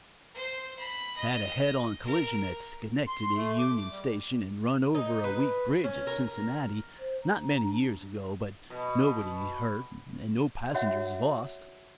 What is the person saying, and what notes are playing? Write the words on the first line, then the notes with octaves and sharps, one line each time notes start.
Had a head-on collision at Schenectady union station and run over a weak bridge at Cincinnati, not many years ago, but nobody hurt, and no passengers lost.
C5
B5
D#5
A#4
C6
A3
D6
G3
D#4
B4
C#4
A#4
C5
A#5
D4
B2
F#4 C#5 E5 F#5